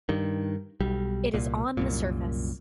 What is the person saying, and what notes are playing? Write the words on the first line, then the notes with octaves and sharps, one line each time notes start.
It is on the surface.
G2 D#3
B1 G3
C2 A#2
C2 F#2 A#2